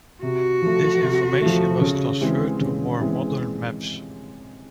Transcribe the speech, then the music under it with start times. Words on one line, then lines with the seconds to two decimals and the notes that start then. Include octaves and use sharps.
This information was transferred to more modern maps.
0.22 C3 F#4
0.62 F3 A3
1.02 C3
1.41 F3 A3
1.81 C#3
2.21 E3 G#3 C4
2.61 C#3
3.00 E3 G#3 C4